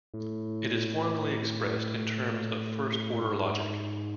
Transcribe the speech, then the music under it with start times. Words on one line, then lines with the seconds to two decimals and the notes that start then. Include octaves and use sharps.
It is formally expressed in terms of first-order logic.
0.14 A2
1.66 A2
3.15 A2
3.20 G#2